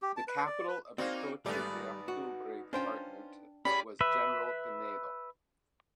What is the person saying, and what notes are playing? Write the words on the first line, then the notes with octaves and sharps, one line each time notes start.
The capital of the Doce de Octubre department was General Pinedo.
G4
A5
B4
D5
B4
A#3 C4 D#4 F#4 D5 F5
G#1 G3 A3 B3 D#4 D5
F#4
C#4 D4 F4 C5 G5
A2 C#4 G4 G#4 D5 B5
B4 E5